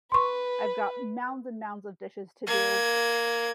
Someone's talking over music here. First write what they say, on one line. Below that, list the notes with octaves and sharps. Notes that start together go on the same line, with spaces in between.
I've got mounds and mounds of dishes to do
B4 C6 C#6
A#3 G#6